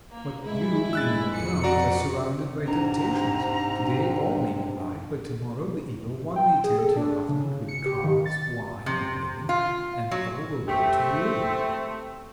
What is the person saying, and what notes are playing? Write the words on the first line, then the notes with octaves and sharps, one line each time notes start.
But you, in your towns, are surrounded by temptations; today all may be right, but tomorrow the Evil One may tempt your husband with cards, wine, or women, and all will go to ruin.
A#3
G2 G#3 E4
E6 F#6 A6
F2 C#7
D3 F3 F#4 D5 A#5
G#2 C3 D4 A#5
G5
G#4
A4
D4
C#3
C#7
G4
D#3
A6
C3
F4
F#3
A3 C4 G4